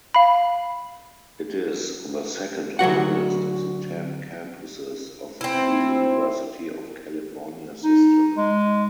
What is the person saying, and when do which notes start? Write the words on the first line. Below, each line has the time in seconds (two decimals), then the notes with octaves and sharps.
It is the second-oldest of the ten campuses of the University of California system.
0.15 F5 B5
2.79 D2 F#3 F#4 F#5
5.41 C4 E4
7.83 D#4
8.37 G#3